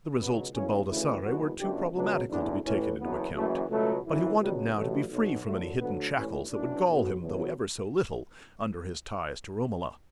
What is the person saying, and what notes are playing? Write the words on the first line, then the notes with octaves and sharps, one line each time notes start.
The results to Baldassarre were too problematical to be taken into account. But he wanted now to be free from any hidden shackles that would gall him, though ever so little, under his ties to Romola.
C#2 B2 F#3 B3
F#1 E2 C#3 E3 C#4
D2 C#3 E3 E4
F#1 E2 B2 F#4
G1 F#2 D3 G4
C#2 B2 F#3 D4
F#1 E2 D3 D4
A1 A2 E3 C#4
F#1 E2 B2 F#3 B3
F#1 F#2 E3 A3
C#2 B2 F#3 A3
G1 F#2 E3
C#2 B2 F#3 G3
A1 A2 F#3 A3
B1 B2 F#3
G1 F#2 D3 F#3 A3
D2 D3 F#3 B3
A1 G2 E3 C#4
F#1 F#2 E3 D4
B1 B2 F#3
E2 B2 F#3